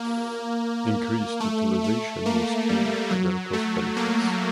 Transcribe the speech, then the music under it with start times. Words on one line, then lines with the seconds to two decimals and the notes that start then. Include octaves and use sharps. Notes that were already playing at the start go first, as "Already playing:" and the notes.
Increased utilization was key to their cost benefits.
Already playing: A#3
1.40 A3
1.84 A3
2.26 A#3
2.69 G3
3.11 F#3
3.53 A3
3.97 A#3